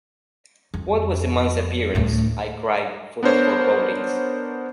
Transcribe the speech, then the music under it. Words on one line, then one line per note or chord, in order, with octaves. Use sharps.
"What was the man's appearance?" I cried, full of forebodings.
F2
D2 A2
B3 D4 A#4 C5 C#5